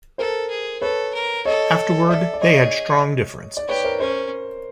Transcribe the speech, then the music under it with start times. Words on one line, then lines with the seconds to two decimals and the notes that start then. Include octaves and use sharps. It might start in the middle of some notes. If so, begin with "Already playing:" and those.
Afterward they had strong differences.
0.18 A4 A#4 C5
0.50 G#4
0.82 A4 B4 C#5
1.14 A#4
1.45 A4 C#5 D#5
2.09 A4 D5 E5
2.34 D5
2.41 G#4 C#5 D#5
3.57 D5
3.68 G4 B4 C#5
3.84 A#4 C5
4.00 C#4 A#4 C5